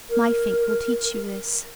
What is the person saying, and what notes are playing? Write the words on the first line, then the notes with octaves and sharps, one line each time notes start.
My fate will teach you this..
A#4